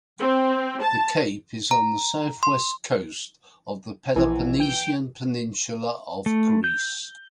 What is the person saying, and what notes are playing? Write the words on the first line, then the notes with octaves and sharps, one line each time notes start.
The cape is on the south-west coast of the Peloponnesian peninsula of Greece.
C4
A5
A#5
C6
A#1 E3
G5
A3
G6